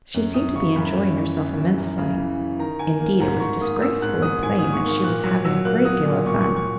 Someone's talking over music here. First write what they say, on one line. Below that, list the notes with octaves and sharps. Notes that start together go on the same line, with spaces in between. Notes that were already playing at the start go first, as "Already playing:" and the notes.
She seemed to be enjoying herself immensely; indeed, it was disgracefully plain that she was having a great deal of fun.
F#2
F#2 D#6
C#3 C#6
F#2 B5
F#2
E3
E3
F#2
F#2
C#3
E3
E3
D#3 A#5
D#3 G#5
A#3
G#2 A#5
G#2 C#6
A#3 D#6
A#3 E6
G#2 F#6
G#2 D#6
G#2 G#5
D#3 D#6
C#6
A#3 C#6
A#2 F#6
F#3
F#3 E6
A#3 F#6
F#3 D#6
A#2
A#2 C#6
C#6
F#3
C#6